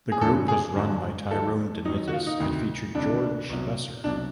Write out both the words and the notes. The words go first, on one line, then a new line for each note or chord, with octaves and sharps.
The group was run by Tyrone DeNittis and featured George Lesser.
G#4
G2 D3 F#3 A4
G#4
G2 D3 F#3
D#2 D#3 F#3 A4
D#2 D#3 F#3 D#4
F#4
F4
D#4
D2 C3 D#3
D2 C3 D#3 D4
C2 B2 F#3
C2 B2 F#3 D4